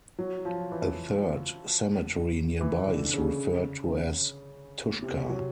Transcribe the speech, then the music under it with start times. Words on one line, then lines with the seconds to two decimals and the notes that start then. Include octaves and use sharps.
A third cemetery nearby is referred to as Tushka.
0.19 F#3
0.45 F3
0.72 E3
2.61 E3
2.87 D3
3.14 C#3
5.03 C3
5.29 F#3